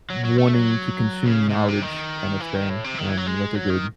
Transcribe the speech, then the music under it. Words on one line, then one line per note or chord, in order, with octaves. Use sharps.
wanting to consume knowledge kind of thing, and that's a good
F#3
F#3
A3
F#3
C#3
C3
A2
C3
D#3
E3
D#3
A2
C3
D#3
E3
F#3
G#3
F#3
D#3